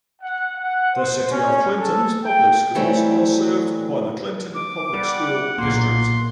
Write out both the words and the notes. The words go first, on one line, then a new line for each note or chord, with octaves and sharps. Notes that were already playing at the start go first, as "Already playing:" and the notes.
The City of Clinton's public schools are served by the Clinton Public School District.
F#5
F#5
C5
C#4
A4
G5
E3 F#3 G3 A3 C4
D6
G3 F#5
B1 A#2 A#3 C6